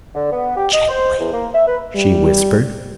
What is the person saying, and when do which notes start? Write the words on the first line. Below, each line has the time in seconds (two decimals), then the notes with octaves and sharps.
"Gently ..." she whispered.
0.14 D3
0.32 B3
0.56 G4
0.72 D#5
0.89 C5
1.19 E2
1.32 A#3
1.53 E5
1.66 B4
1.95 G3